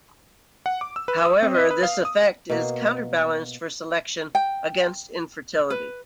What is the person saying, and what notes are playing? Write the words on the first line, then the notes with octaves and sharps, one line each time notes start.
However this effect is counterbalanced for selection against infertility.
F#5
D6
E6
B4
D#6
C4
D#5
B4
F5
D#6
B2 A#3
G5
B4